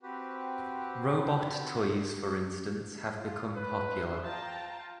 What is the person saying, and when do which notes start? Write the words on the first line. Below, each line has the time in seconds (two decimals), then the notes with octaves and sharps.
Robot toys for instance have become popular.
0.03 C4 F#4 G4 B4
3.18 F4
3.55 B4
3.90 C5 E5 C6
4.24 F4 G5 A5 A#5